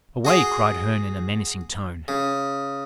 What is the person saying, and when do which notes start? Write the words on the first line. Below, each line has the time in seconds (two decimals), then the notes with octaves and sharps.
"Away!" cried Herne in a menacing tone.
0.25 F#4 G#4 C6
2.08 C#3